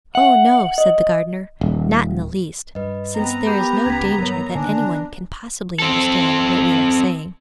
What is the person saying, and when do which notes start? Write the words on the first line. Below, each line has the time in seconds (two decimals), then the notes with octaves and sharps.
"Oh, no," said the gardener; "not in the least, since there is no danger that anyone can possibly understand what we are saying."
0.15 E5 F#5
0.78 D#5
1.61 D#1
2.75 G2 B4 D#5
3.16 B3 C4 A#5
3.46 G4 A#4 B5 G6
3.86 C#2 C#4 G#6 B6
4.19 G2 F#3 A#4 C#5
4.55 D3 D#3 A#3 D4 G#5
5.79 C4 A4